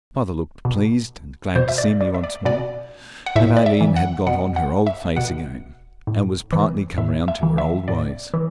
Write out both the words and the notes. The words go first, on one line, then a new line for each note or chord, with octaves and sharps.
Mother looked pleased and glad to see me once more, and Aileen had got on her old face again, and was partly come round to her old ways.
B2
B2 C5
E5
D5
D5
E5
D5
B2 D5
F#5
A2 E5
D5
E5
E3
F#5
B2 F#5
F#5
E5
B2 F#5
A2
E3
A2 E5
E5
E3
E5
A2 D5
E3